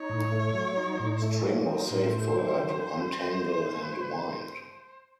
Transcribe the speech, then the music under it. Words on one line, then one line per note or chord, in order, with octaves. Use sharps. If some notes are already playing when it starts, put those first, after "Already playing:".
String was saved for her to untangle and wind.
Already playing: D#4 C#5
A2
A3
F#3
D#4
A2
A3
F#3
D#4 C5
A2
A3
F#3
D#3